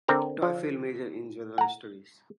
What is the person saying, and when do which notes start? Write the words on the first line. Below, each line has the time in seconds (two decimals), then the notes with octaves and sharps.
Toefield majored in general studies.
0.08 D3 C4 A#4 A#5
0.42 F3
1.58 F#5 A#5